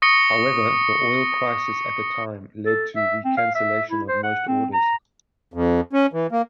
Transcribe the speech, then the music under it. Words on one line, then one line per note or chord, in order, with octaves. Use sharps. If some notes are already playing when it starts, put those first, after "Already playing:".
However, the oil crisis at the time led to the cancellation of most orders.
C#6 D#6 A#6 C#7 G7
A4
E5
C4
F5
E5
E4
C5
F#5
C4
A#5
F2
C#4
E3
A#3